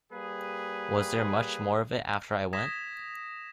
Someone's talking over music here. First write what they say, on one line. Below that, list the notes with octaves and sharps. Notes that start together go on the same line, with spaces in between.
Was there much more of it after I went?
G3 A#3 G#4 B4
D#6 G#6 A#6 B6 E7